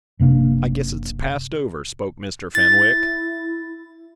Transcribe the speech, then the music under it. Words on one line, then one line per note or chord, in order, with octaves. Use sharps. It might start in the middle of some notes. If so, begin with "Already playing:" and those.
"I guess it's passed over," spoke Mr. Fenwick.
F#1 C3 A#3 D4
E4 A6